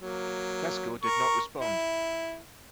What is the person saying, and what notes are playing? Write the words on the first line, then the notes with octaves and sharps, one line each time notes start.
Tesco did not respond.
F#3 A#3
A#4 C#6
E4